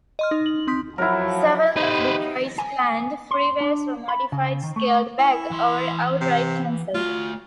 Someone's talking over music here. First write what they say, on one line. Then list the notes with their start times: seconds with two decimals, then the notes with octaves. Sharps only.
Several of Detroit's planned freeways were modified, scaled back, or outright cancelled.
0.19 D#5 C6 F6
0.31 D#4
0.46 F#7
0.67 C4 C6 D#6 B6
0.98 F3 F#3 E4 F#4 A#4
1.76 B3 D#4 G4 B4 C5
2.58 G#5
3.31 C6
3.61 D4
4.08 B5
4.32 C#3
4.64 D#3
4.76 A3
5.19 E4
5.51 E3 C6
6.21 C3
6.94 A3 F4 F#4